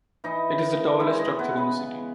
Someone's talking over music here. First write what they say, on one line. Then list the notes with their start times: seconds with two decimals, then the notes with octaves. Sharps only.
It is the tallest structure in the city.
0.24 E3 D#4 D#5
0.50 C#3
0.75 C#3
1.00 G#3 E4 E5
1.10 C#5
1.19 D#4 D#5
1.25 E3
1.39 B3 B4
1.51 C#3
1.57 B3 B4
1.77 C#3